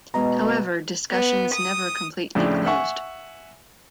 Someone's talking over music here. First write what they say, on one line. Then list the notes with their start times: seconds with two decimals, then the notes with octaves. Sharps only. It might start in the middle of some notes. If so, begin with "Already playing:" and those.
However discussions never completely closed.
0.14 B2 G#3 B3 D#5 A#5
1.11 B3
1.53 D#6
2.35 F2 A2 C#3 D4
2.66 E5 F#5 G#5 C#6